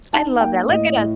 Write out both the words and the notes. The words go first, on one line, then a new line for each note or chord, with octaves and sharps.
I love that. Look at us.
D#4 A5
A#3 G5
A2 D#5
A2